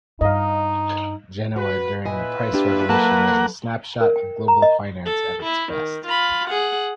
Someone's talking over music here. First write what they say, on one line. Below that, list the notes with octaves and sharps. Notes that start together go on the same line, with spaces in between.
Genoa during the price revolution was a snapshot of global finance at its best.
G2 D#4 D#5 F5
F#4 B4
A#2 E4 F4 B4 D#5 G#5
A#3 D4 G4
F#3 A#3 A4 F#5 A5
A#4
G5
A#5
D#5
A4
E4
D#3
F4 B5
G#4 F#5